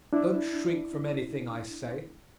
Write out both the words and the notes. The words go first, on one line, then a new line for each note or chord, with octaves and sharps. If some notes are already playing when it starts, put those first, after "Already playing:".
Don't shrink from anything I say.
D4 E4